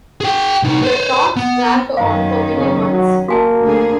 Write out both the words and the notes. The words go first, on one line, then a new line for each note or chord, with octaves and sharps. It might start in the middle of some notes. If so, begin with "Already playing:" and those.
The talks dragged on for many months.
G#4 G5
C2 D#4
B4 C5
B3
F#2 D#3 C#4 C5 F5
C#3
F#3
A#3 F#4 G#5 A5
D2 D3 G#4